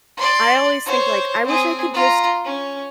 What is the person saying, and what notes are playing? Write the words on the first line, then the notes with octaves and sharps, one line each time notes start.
I always think, like, I wish I could just
D5 C6
C5 C#5
C4 G#4
F4 A#5
C#4